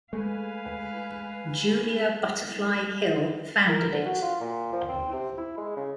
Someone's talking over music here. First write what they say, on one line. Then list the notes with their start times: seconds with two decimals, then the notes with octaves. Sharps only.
Julia Butterfly Hill founded it.
0.13 G#3 A3 B4 F5 G#5
3.69 A#4
3.92 D3
4.06 F#4
4.22 F4
4.41 A#2
4.73 F3
4.89 C4
5.13 C3
5.38 E4
5.58 G#3
5.76 C#3